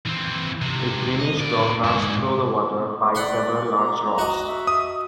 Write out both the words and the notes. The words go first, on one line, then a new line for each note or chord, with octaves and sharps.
A greenish dog runs through the water by several large rocks.
E3 C4
G#2 C3
D#5
A2 D5
G#2 E4
D5 F#5 B5 C6
A#5
F#4 D#5
E5
D#6